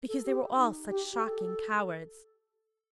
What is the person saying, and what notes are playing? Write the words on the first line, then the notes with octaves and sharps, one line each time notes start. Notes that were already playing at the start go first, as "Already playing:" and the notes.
'Because they were all such shocking cowards.'
A4
G4
D#4
G4
G4
A4